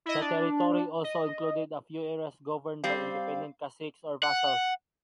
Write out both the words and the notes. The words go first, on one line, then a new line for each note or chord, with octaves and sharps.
The territory also included a few areas governed by independent caciques or vassals.
E4 D#5
D4
D#5
G3 C4 F5
F#5